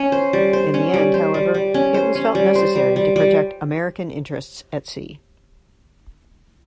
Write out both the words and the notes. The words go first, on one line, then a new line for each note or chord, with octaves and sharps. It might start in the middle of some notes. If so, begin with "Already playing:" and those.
In the end, however, it was felt necessary to protect American interests at sea.
Already playing: C#4
C5
G3
C5
C#4
G3
C5
G3
G3
C#4
C5
C#4
G3
C5
G3
G3
G3